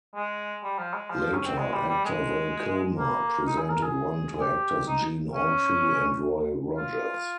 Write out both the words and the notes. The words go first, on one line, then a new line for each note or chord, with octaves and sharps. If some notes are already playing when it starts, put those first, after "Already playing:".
Later, actor Val Kilmer presented one to actors Gene Autry and Roy Rogers.
G#3
G3
F3
G#3
F3
F3
C#4
C4
G#3
G3
G3
G#3
A#3
D#4
G#4
A#4
G#4
G4
D#4
C#4
F4